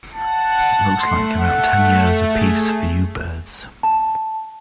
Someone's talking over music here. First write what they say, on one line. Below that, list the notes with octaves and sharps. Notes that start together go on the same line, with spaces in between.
Looks like about ten years a piece for you birds.
F#5 A5
A3 C6
A3 F#5
G#4
A5